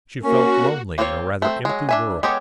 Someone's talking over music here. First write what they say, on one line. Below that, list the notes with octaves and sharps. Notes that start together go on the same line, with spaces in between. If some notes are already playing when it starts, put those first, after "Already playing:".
She felt lonely in a rather empty world.
A#3 C#4 F#4
A#3 C4 F4 G#4 C#5
A3 C4
F#3 G#3
D4 E5 G#5
G#3 B3 G4 A4 C#5